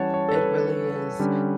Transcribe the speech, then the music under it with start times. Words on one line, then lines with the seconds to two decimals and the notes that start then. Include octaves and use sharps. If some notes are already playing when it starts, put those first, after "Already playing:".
It really is.
Already playing: E3 G3 C#4 C#5 F#5 A5
0.14 C#5
0.29 A4
0.35 B4
1.20 D3 G3 C#4